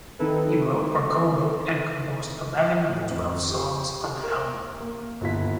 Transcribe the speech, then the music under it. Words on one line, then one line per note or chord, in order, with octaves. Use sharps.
He wrote or co-wrote and composed eleven of the twelve songs on the album.
D#3 C4 D#4 E4 A4 B4
A2 E3 F#3
F2
G4 C5
A#4
A#3
G1 D#2 B2 E4 F4 B6